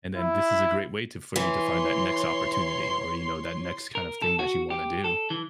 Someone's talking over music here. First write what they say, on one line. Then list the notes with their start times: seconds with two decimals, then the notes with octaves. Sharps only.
and then this is a great way to for you to find that next opportunity, or, you know, that next kind of thing that you wanna do.
0.16 E4
1.36 E3 C#5 C6
3.95 A#4
4.22 A4
4.39 F#4
4.70 G4
5.04 A4
5.30 E3